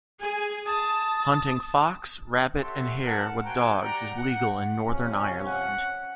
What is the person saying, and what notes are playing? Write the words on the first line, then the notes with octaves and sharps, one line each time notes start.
Hunting fox, rabbit and hare with dogs is legal in Northern Ireland.
G#4 G#5
A5 D#6
G4 A4 C#5 E5 F#5 C6
A#4 F#5 A5
A#3 F#4 C5 G5 G#5 A#5
G4 D5 F#5 G5 A#5
F#5
C3 F3 C#4
F#5